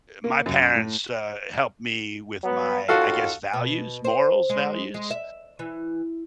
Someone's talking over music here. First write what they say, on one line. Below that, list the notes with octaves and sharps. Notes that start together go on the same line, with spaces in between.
eh, my parents, uh, helped me with my, I guess, values, morals, values,
A#3
F#2
A2
F#3 B3
D#2 F4 F#4 A4 F5
B2
C5
G#3
G#3
E5
E3